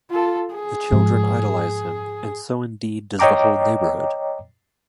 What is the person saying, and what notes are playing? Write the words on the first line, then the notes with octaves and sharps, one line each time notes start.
The children idolise him, and so indeed does the whole neighbourhood.
F4 A4
G#4
G#2 F3
C#5 D#5 G5 A#5 D6